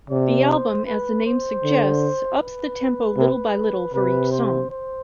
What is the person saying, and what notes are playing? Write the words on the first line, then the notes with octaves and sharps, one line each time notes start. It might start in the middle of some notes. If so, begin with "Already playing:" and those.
The album, as the name suggests, ups the tempo little-by-little for each song.
C3 D5
C5
B4
C5
D3
B4
C3
C3 B4
C5
C5